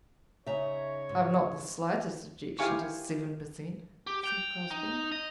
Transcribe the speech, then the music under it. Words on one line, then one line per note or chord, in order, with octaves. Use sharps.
"I've not the slightest objection to seven per cent.," said Crosbie.
C#3 D#4 C#5 E5 A#5
G#2
E4 G4 F5 G#5 C#6
G4
G5 G6 F7 G7
D#4
D#5